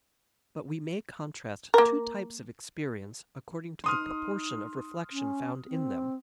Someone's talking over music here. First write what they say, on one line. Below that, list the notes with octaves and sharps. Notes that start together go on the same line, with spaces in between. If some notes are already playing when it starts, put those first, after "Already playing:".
But we may contrast two types of experience according to the proportion of reflection found in them.
A#3 A#4
D#4 C6 D#6 F6
C#4
C4